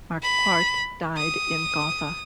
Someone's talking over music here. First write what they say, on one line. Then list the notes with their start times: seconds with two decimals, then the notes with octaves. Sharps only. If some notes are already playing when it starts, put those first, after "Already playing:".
Marquardt died in Gotha.
0.23 B5
1.17 D#6